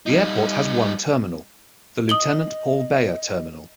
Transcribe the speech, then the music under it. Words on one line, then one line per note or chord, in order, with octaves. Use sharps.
The airport has one terminal, the Lieutenant Paul Baer Terminal.
G3 D#4
D#5 D#6 F#7 G7